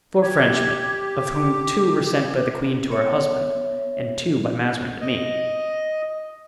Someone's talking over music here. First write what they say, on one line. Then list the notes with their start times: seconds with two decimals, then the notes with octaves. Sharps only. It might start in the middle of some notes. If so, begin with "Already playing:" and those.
"The four Frenchmen, of whom two were sent by the queen to her husband and two by Mazarin to me."
0.22 G4 G#6
1.17 D6
2.91 B3 C#5 E5
5.01 D#5